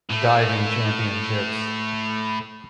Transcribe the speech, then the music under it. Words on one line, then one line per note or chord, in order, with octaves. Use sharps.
Diving Championships.
A2 A3